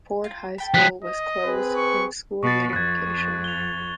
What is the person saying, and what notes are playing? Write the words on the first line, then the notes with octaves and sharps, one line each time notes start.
Ford High School was closed in school unification.
F4
A4 G5 B5
F3 G#3 F#6 B6
D#5
C4 G#4 B4
C#6
B2 C#6 A6
F2 F#6 G#6
F7 G7